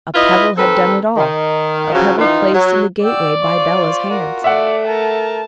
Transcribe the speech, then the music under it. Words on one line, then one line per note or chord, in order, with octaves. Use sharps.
A pebble had done it all,--a pebble placed in the gateway by Bela's hands.
E4 F4 B4 D#5
D#3 C4 A4 B4
D#3
C#3 F3 F#3
D#3 E3 D#4 F4
F#3
F#4 D5 G5 E6
F4 C5 C#6
F4 F#4 A#4
A3 D5 E5 F#5
A#4 A5